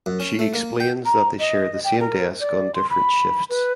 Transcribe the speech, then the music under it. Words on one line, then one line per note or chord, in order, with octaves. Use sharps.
She explains that they share the same desk on different shifts.
F#2
C#4
A3
A#3
G5
A#5
D#5
G5
A#4
D5
C6
B5
B4